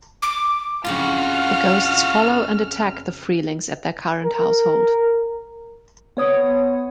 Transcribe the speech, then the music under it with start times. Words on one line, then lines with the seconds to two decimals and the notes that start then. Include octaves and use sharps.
The ghosts follow and attack the Freelings at their current household.
0.22 D6
0.85 F2 C#3 D4 F4 F#4 F#5 F6
4.24 A#4
6.17 B3 C#5 D#6